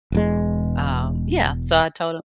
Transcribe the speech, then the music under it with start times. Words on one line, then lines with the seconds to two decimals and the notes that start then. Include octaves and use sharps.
um, yeah. So I told him
0.12 E1 E2 G#3